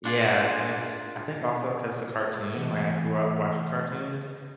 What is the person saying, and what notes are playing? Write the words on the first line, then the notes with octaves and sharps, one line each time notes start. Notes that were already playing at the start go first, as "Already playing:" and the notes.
Yeah, and it's I think also 'cause it's a cartoon, like, I grew up watching cartoons,
D4 F4 G#4 D5
E3 A3 D#5 E5 F#5